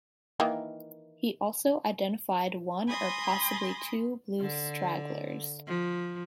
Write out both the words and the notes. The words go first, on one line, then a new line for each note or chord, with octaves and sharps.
He also identified one or possibly two blue stragglers.
D#3 E3 A#3
G#5 B5 C6 D#6 A#6
D3
F3